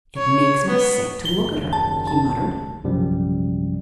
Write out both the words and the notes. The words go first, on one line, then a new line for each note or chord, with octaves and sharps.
"It makes me sick to look at her!" he muttered.
C#5
B3
F#1 D#2 G7
A5
A5
A#1 F#2 C3 F3 G3